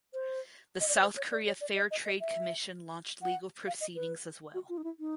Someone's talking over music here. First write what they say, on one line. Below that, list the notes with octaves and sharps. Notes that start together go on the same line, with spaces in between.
The South Korea Fair Trade Commission launched legal proceedings as well.
C5
D#5
D5
C#5
C5
C#5
D5
C#5
D5
D#5
D#5
D#5
E5
F#5
F5
D#5
B4
F#4
F4
D#4
E4
D#4